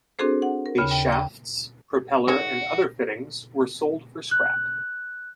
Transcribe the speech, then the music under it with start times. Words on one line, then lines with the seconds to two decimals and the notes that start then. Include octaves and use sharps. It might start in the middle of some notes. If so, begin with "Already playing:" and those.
The shafts, propeller and other fittings were sold for scrap.
0.19 C4 D4 F#4 G#4 A4 C5
0.42 F#5
0.66 A#4
0.78 D#2 C#3 B5
0.91 G5
1.12 G5
2.28 D#3 F#4 G#4 C#5
4.31 F#6